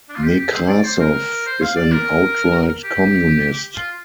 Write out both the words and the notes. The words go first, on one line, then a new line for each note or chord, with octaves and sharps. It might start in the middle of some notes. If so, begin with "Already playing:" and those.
Nekrasov is an outright communist...
D4
F4
G4
G4
C5
D5
C5
A#4
C5
F5
D5
A#4
G4
F4